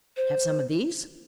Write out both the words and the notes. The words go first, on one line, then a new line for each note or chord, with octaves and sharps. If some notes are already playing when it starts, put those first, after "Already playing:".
"Have some of these?"
C5